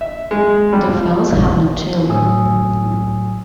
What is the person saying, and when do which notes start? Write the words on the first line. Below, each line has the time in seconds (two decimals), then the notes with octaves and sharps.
The Fells have no children.
0.01 E5
0.31 G#3
0.73 G3
0.89 F3
2.08 A2 F#3 A3 G#5 D#6 E6